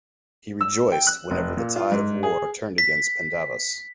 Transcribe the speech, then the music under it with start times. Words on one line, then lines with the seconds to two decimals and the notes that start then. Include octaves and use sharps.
He rejoiced whenever the tide of war turned against Pandavas.
0.61 E6
0.92 G5
1.07 F#6
1.31 F1
1.57 A#2
1.76 F4
1.92 G#2
2.23 G#4
2.78 B6